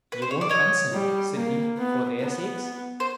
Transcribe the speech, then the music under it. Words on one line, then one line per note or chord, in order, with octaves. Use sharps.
You won't consent, Sydney, for their sakes?
B4
C5
C#5
D5
C#5 D#5
G3
A#3
B3
B3
C5